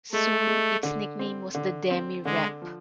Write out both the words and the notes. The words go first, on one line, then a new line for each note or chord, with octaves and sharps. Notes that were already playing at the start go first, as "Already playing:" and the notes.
Soon its nickname was the demi-Rep.
G#3 A3
G#3
D3
C4
D3
C4
D3 G#3
F3